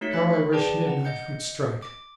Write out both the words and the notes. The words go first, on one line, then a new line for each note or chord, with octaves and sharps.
"How I wish midnight would strike!"
A3 D#4 F#4 C#5 B6 C#7
B5 F#6
G#4 B4 D5 G5 A5 D6
F#5 A#5
D#5 G6 C#7
D6